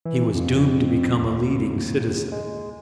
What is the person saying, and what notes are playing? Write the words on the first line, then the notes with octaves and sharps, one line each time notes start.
He was doomed to become a leading citizen.
E3
F2
D#2
G#3